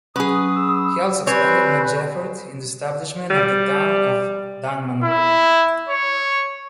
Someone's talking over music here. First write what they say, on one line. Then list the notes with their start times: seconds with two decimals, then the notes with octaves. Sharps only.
He also expended much effort in the establishment of the town of Dunmanway.
0.16 F#3 C#4 G#4 B4 B5 D#6
0.56 E6
1.27 C4 G4 B4 C#5 D5 G#5
3.30 G3
5.03 E4
5.89 C#5